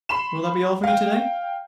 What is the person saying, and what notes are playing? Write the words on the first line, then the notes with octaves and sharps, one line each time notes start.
Will that be all for you today?
B5 C6 E7
F5 G5